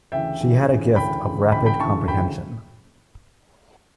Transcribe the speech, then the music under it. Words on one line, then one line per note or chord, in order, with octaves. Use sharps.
She had a gift of rapid comprehension.
D2 C#3 E3 E5 G5
D2 C#3 E3
D2 C#3 E3
D2 C#3 E3 G5 B5
D2 C#3 E3
D2 C#3 E3 G5 B5
G5 B5
D2 C#3 E3 A5 C#6
D2 C#3 E3 G5 B5